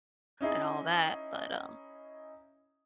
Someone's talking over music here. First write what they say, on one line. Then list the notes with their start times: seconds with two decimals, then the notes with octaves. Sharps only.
and all that, but, um
0.41 C#4 D#4 E4 G#4